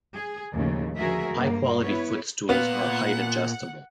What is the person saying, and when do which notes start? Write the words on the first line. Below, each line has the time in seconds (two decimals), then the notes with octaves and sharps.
High quality footstools are height-adjustable.
0.15 G#4
0.53 D#2 A2 C#3 F3
0.97 D2 F3 F#4 G#4 A#4 E5
1.32 G2 A#3
1.82 B3 E4 B4 C#5
2.49 A#2 B3 F5 F#5